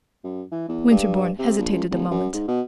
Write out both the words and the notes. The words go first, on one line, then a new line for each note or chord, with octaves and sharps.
Winterbourne hesitated a moment.
F#2
E3
E2
G2
C3
A#1
C#2
D1
F#2
G#2
B2